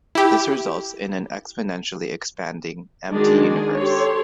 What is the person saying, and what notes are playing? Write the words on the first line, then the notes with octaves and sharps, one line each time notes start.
This results in an exponentially expanding, empty universe.
E4 G4
D#3 G#3 D4 D#4 F#4 G#4
D4 G#4
G4 A4 C#5 C6